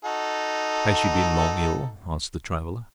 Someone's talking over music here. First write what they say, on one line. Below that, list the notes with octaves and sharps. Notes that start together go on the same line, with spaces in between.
"Has she been long ill?" asked the traveller.
D#4 F#4 A4